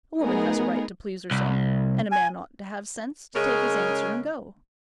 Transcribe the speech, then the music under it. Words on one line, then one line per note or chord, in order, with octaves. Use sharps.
A woman has a right to please herself, and a man ought to have sense to take his answer and go.
A3 B3 D#4 G#4 A#4
C2
G#5
C#3 G#3 C#4 G#4 A#4